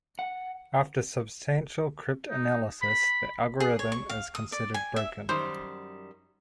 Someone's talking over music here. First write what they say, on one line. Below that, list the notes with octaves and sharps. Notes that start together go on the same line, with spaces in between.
After substantial cryptanalysis, the algorithm is considered broken.
F#5
D#4
B5
G#4
C#5
C#6
F5
D#6
D5
G#5
E5
F#2 D#3 G3 C5